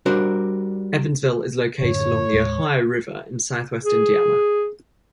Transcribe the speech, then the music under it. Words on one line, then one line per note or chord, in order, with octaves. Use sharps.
Evansville is located along the Ohio River in southwest Indiana.
G3 D4 F#4 A#4 C5
F#2 A2 D3 C#5
D#2 A2 G#3
G#4